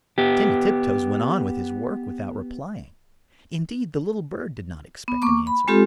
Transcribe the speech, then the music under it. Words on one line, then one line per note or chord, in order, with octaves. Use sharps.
Timmy Tiptoes went on with his work without replying; indeed, the little bird did not expect an answer.
B3 G4
B3
A#3 C#6 D6
B5
G#3 C4 F4 G4 A4